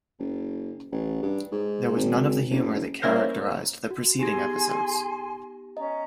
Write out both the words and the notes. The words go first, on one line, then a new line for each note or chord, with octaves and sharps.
There was none of the humour that characterised the preceding episodes.
F#1
A1
G2
G#2
G#1
F#1
G3 A#3 C#4 E4 A#4 C5
F#4
B3 D#4 G4 G#4 G#5 C6 A#6
C#4 D#5 A#5